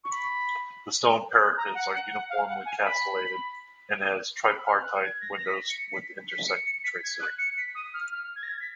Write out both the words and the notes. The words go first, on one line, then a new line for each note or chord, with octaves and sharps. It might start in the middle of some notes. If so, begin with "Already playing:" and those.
The stone parapets are uniformly castellated and it has tripartite windows with intersecting tracery.
C#6
B5
A#5
F#5
F#5
F#5
F5
F#5
G#5
B5
B5
F6
F#6
G#6
A#6
A#6
B6
C#7
B6
B6
C#7
C#7
B6
G#6
F#6
C#7
B6
D#6
F6
F6
G#6
A#6
G#6
B6